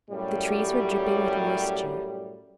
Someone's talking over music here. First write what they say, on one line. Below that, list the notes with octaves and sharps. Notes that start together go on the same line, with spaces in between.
The trees were dripping with moisture.
F#2 A2 G3